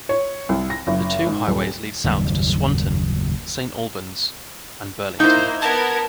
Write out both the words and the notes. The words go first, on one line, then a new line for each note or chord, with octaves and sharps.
The two highways lead south to Swanton, Saint Albans, and Burlington.
C#5
C2
A#6
F#1
G#2
D#1
F#1 D#2 G#2 G3
A#3 D#4 E4 C5 G6
B3 A#4 A5 G#6